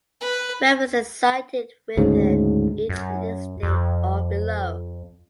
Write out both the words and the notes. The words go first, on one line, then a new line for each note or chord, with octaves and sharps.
References cited within each listing or below.
B4
D2 G#2 C#3
F#2
F2